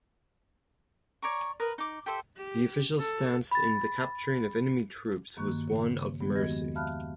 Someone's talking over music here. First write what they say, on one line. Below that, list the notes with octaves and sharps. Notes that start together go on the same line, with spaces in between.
The official stance in the capturing of enemy troops was one of mercy.
C#5 D5 A#5 C#6
A#4 B4 D#6
D#4 D6
G4 A4 C5 E5
G4
A4
B5 A6
G2 D#3 A#3 F#4 C#6 F#6
C#3
D#3 F#3 G#3 B3 G4
E2 D#3 F#4 D#5 G#6 A#6
E5 F5 A5 B5 F6 F#6